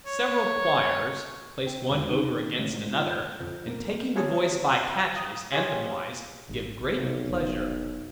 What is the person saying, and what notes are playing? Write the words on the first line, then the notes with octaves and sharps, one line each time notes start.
Several quires, placed one over against another, and taking the voice by catches, anthem-wise, give great pleasure.
C#5
C4
E1
D#3
A1
G#2
F4
G6
F2
A#3
F4 G#4 C#5 A5 C#6 D#6
F5 G5 B5
D#6
G4 G#4 C#5 F5 G#5 C6
G#1
B1 C3
F1